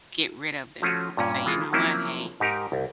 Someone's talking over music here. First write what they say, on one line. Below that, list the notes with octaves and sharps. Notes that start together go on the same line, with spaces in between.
get rid of them, to say, "You know what, hey,
F3 A3 C#4 F4 F#4
G2 A#2 C#4
E3 G#3 F4 A4
F3 F#3 A#3 C4 C#4 E4
G#2 D#4 G4 A#4
C2